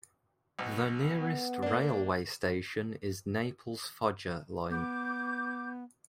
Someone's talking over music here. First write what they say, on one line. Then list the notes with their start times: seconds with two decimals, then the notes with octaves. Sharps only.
The nearest railway station is Naples-Foggia line.
0.59 B1 B2
1.20 B3
1.63 A#3 D4
4.70 B3 D6 G6